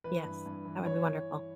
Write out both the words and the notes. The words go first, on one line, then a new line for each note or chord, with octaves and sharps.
Yes. That would be wonderful.
E3 B4
G2
G2
E3
E3 C#5